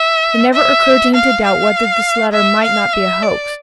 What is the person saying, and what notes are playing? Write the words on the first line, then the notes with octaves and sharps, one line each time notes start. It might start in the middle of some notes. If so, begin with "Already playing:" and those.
It never occurred to him to doubt whether this letter might not be a hoax.
Already playing: E5
E5
F5
F5
E5
F5
E5
D5